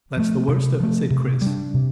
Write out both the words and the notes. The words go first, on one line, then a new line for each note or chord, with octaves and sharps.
"That's the worst of it," said Chris.
F3 A3
C3
F3 A3
C3
G3 D4
C3